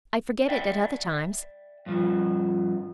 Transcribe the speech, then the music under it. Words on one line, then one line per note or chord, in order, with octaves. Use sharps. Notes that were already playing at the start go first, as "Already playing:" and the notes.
I forget it at other times.
D5 E5 G5
G2 F3